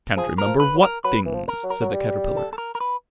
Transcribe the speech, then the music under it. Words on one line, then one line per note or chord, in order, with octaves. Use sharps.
'Can't remember WHAT things?' said the Caterpillar.
F3 G#4
A#4
F3
B4
F#3
A#4
F#3 B4
E3
F3
A#4
F#3
A#4
F#3
G3
A4
A4
A#4
A#4
B4